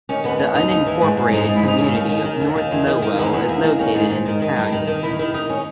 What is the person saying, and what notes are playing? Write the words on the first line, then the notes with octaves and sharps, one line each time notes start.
The unincorporated community of North Lowell is located in the town.
D#3 C#4
D#2 B3
D#2 C#4
D#2 D#4
D#2 D#4
E3
G#2
G#2
C#4
G#2 D#4
D#4
G#2
E4
G#2 D#4
D#2 C#4
D#3
D#3
D#3
D#2
D#3
E2
D#3
D#3
E2 B3
C#4
E2 B3
E2 A#3
D#3 A#3
D#3 C#4
G#2 D#4
G#2
D#3
D#3
G2
D#3
D#3
D#3 E4
D#3 E4
D#3 D#4
C#4